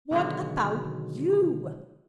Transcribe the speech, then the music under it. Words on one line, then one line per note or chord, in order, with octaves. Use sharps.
What about you?
B2 D3 D#3 F#3 G#3